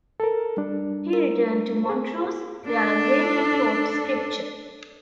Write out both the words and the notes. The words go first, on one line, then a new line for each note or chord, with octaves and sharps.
He returned to Montrose, where again he taught Scripture.
A4 A#4
G3 D4
A#4
G#4 C5
D4 A4